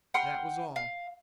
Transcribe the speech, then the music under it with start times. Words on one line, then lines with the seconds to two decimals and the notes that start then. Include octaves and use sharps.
That was all.
0.14 F#5 G5 C6 F6
0.76 F5